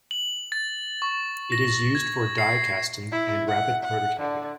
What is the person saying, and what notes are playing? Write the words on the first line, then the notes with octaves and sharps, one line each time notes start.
It is used for die casting and rapid prototyping.
F#7
A6
C#6
A#6
G#6
C7
E4
F#5
F#5
D3